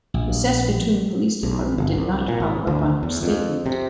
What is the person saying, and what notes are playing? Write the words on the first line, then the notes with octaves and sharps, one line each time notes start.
The Saskatoon police department did not follow up on her statement.
A#1
B1
G1
C2
A#2
G#1
D2
E2
F2
C3